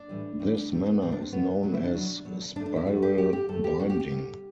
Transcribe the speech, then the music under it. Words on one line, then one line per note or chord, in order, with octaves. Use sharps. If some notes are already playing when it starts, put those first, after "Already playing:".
This manner is known as spiral binding.
Already playing: D4
A2 E3 G3
A2 E3 G3
A2 E3 G3
B3
A2 E3 G3 C4
D4
C4
E2 B2 F#3 B3
E2 B2 F#3
E4
D4
E2 B2 F#3
E2 B2 F#3
F#2 D3 A3 D4
D4
E4
F#2 D3 A3 F#4
G4
F#2 D3 A3 G4
G4
F#2 D3 A3 A4
G4
D2 C3 G3 F#4
G4
G4
D2 C3 G3